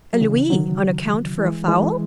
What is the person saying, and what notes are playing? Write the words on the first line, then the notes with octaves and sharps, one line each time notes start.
"A louis on account for a fowl?"
F#3
C#3 E3
D#3 F#3
E3 G#3
E3 G#3